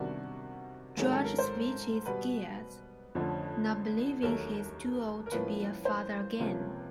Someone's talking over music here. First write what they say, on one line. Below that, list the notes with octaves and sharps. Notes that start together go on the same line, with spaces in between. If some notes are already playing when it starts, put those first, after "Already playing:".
George switches gears; now believing he is too old to be a father again.
Already playing: C3 D#3 G3 B3 D4 F#4
G#2 D#3 F#3 A3 G#4
A4
A#4
C5
B2 G3 B3 B4
F2 D3 F3 A3 C#4
D#2 D#3 F#3 A3 A#4
A#4
A2 F3 A#3 C#4 B4
C5
C#2 C3 F3 A#3 C#4